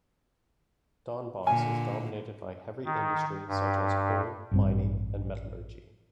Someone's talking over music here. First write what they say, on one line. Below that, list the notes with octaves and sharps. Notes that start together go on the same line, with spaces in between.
Donbass is dominated by heavy industry, such as coal mining and metallurgy.
A#2 D3 G#5
D#3
G2
A1 G2 C4